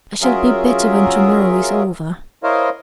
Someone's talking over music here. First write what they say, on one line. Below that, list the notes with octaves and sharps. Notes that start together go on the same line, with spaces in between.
'I shall be better when to-morrow is over.'
F#3 C#4 F4 G#4 A#4 E5
E4 A#4 C5 C#5 D#5 F5